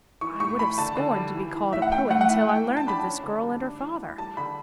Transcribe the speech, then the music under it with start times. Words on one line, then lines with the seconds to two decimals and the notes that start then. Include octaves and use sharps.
I would have scorned to be called a poet until I learned of this girl and her father.
0.21 E3 C#6
0.40 A2 C#6
0.59 E3 B5
0.78 D3 A5
0.97 D3
1.16 G3
1.34 E3
1.54 E3
1.72 A2 E5
1.82 F#5
1.92 A3 G5
2.10 A3 F#5
2.21 F#5
2.29 E3 E5
2.48 E3 G5
2.67 E3
2.77 A5
2.87 D4 B5
3.00 C#4 A5
3.24 D3
3.43 G3
3.62 D4
3.81 E3
3.99 E3
4.18 G3 A5
4.37 D3 B5